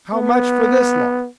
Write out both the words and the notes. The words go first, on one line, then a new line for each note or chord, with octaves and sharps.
How much for this lot?
B3